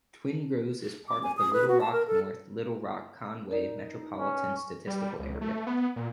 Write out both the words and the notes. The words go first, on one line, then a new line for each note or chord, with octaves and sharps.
Twin Groves is part of the Little Rock-North Little Rock-Conway Metropolitan Statistical Area.
D6
G#5
D#6
B4
F#4
A5
A#4
A4
D#4 A#4 D5
C#4
G3
C#2
A3
B3
A#2